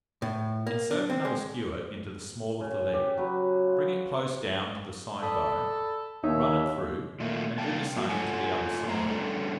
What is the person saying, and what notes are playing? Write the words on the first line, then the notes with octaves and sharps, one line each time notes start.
Insert another skewer into the small of the leg, bring it close down to the side bone, run it through, and do the same to the other side.
A2
A#3
D4
C4
G#3
C#3
G4
F#3 B4
F4
A4 D5 B5 D#6
D#2 D#4 C#5 E5
A#2 D#3 A3 A#3 F4
C3 G3 A#3 F5 G5 A5
F3 F#3 A#3 F4 F#4
F4 F#4 A4 C#5 F#5 G#5
A2 A3 C5 A#5
D3 G3 C#4 G#4 A4